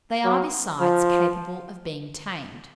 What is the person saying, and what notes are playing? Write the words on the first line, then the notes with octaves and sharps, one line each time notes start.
They are, besides, capable of being tamed.
F#3
F3